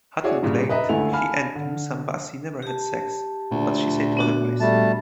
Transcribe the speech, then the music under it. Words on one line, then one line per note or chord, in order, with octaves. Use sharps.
Hutton claimed he and Musambasi never had sex, but she said otherwise.
E4 F#4 G#4 C#5 D5
G2 A#2 C#3 G3
B4 D#5 E5 A#5
C#2 D3 A3 E4 G#5 F7
F5 G#5 A5 B5 F6
D3
G4 A5
D2 A#2
B3 D4 F#4
G3 A3 A5